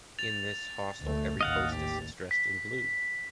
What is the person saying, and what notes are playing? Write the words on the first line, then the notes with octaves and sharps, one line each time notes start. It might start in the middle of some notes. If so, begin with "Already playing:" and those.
In this hostel every hostess is dressed in blue.
A6 F7
D2 A3
A1 D#2 D#5 F5 F#5
G4
B6